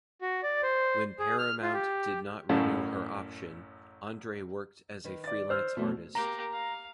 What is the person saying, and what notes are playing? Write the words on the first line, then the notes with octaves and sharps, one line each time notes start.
When Paramount did not renew her option, Andre worked as a freelance artist.
F#4
D5
C5
G#4
F6
F4
G4
A1 F#2 A2 C#4 F5 A5
D#3 B4
D5 A6
C5 E6 F6
B2 E3 A3 C4
A#3 G4 A#5
F5